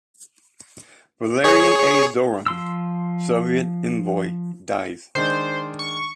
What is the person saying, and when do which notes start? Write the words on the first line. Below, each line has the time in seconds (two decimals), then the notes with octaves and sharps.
Valerian A. Zorin, Soviet Envoy, Dies.
1.44 G#4 C#5 C#6
2.46 F3 C6 E6
5.15 D#3 G#3 D4 C5
5.79 C#6